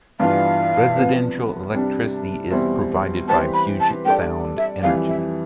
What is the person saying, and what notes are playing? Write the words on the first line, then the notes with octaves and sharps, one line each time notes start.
Residential electricity is provided by Puget Sound Energy.
G2 E3 B3 D4 F4 F5
C3 F3 B3
C3 G3 D4
E2 B2 G3 C4 E4
E3 G3 C4 G4 B4 A5
B5
A5
G3 D4 A4 D5 G5
E5
F2 E3 G3 F5
E5